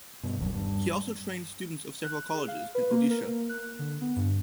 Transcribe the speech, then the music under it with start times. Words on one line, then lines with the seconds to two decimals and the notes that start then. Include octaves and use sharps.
He also trained students of several colleges in Odisha.
0.23 G2 B2
0.39 F#1 D#2 C3 F#3
0.55 G2
2.04 F#6
2.34 G#4
2.48 F5
2.75 B4
2.91 A#3
3.10 A#4
3.28 A#3
3.49 F#6
3.79 D3
4.01 B3
4.16 G2